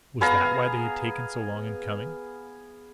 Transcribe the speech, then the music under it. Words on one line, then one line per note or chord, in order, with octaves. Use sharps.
Was that why they had taken so long in coming?
B3 G#4 F5 A#5